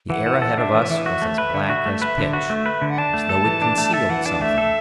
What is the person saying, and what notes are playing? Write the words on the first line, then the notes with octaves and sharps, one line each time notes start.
The air ahead of us was as black as pitch, as though it concealed something.
E3 F#5
E3
A4
D4 E5
E3
E3
F#4 E5
A3
B4
D3
F#4
A3
B4
D3
F#4
A3
B4
D3
F#5
D4 A5
A3
A4
E3
D4
A3
A4 E5
E3 F#5
D4 A5
A3 E5
A4